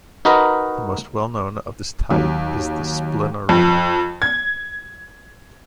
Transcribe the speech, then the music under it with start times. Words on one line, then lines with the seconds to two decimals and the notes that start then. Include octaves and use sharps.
The most well known of this type is the splenorenal.
0.25 D#4 F#4 A#4 B4 D#5
2.11 D#2 F#3
3.49 F2
4.22 G#6